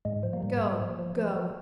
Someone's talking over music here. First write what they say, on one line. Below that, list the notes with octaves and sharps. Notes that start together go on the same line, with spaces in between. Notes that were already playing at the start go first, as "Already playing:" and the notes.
Go! go!
G#2 G#3
F3
G3 A#3
G#2
G#2
F3
F3
F3
F3